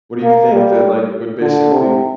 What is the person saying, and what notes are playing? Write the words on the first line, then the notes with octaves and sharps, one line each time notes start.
What do you think that, like, would basically
A#3
G3
D3
C3